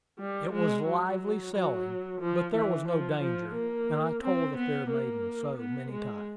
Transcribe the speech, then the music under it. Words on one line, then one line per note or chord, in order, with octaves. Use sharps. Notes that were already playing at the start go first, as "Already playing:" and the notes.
It was lively sailing, but there was no danger, and I told the fair maiden so many times.
G3
G#3
F#3
F#3
F3
E3
F3
F3
A#3
C4
B3
A#3
B3
G#3